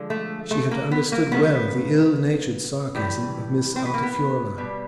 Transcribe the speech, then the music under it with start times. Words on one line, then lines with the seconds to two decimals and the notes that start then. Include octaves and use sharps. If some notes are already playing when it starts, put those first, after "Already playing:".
She had understood well the ill-natured sarcasm of Miss Altifiorla.
Already playing: D3 F3 G#3
0.10 A3
0.51 A3
0.71 A#3
0.91 B3
1.12 A#3
1.32 C#3 F#3 A3 B3
2.95 A2 E3 G3
3.76 C4
3.85 B3
3.94 A#3
4.03 B3
4.58 B2 G3